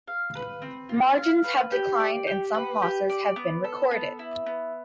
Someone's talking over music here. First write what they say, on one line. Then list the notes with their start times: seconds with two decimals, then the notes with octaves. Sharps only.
Margins have declined and some losses have been recorded.
0.08 F5
0.35 B4
0.62 C4
0.89 F4
1.18 F5
1.44 B4
1.72 G4
2.00 D5
2.27 G4
2.55 B4
2.82 G4
3.09 D5
3.36 B3
3.64 A4
3.91 B3
4.19 E4
4.46 B3